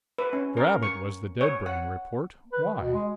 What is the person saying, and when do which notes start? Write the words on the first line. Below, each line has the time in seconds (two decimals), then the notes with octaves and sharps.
"Grab it, was the dead-brain report. Why?"
0.18 B4
0.33 C#4
0.57 A#4
0.83 C#6
1.41 C#5
1.66 F#5
2.52 B4
2.64 D#3
2.81 B2
2.93 G#3